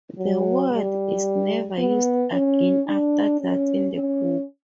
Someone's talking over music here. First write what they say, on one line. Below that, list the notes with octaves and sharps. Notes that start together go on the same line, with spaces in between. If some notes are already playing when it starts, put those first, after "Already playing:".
The word is never used again after that in the book.
F#3
G3
B3
C#4
D4
C#4
C#4